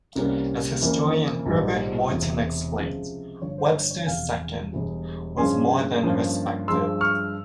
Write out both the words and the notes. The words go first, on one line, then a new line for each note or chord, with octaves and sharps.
As historian Herbert Morton explained, "Webster's Second" was more than respected.
C2 C3 G3 A#3 C#4
F2 C#3 E3 A#3
A#1 G#2 G3
E1 E2 C3
C#2 C3 F3 G#3
G1 G2 F3 C#5
C5
C#5
C#5
E1 E2 C3 F3 F5 G#5
E1 E2 E3 G3
G2 F3 G#3 C#4 G#5 C6
G2 F3 A#3 C#4
G2 F3 G#3 C6 E6
C#6 F6